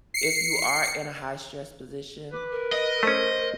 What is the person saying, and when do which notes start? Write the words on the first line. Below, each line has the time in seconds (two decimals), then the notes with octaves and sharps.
if you are in a high stress position,
0.14 C7 C#7
2.32 B4 D6
2.51 A#4
2.72 D#5
3.03 A3 C#4 C5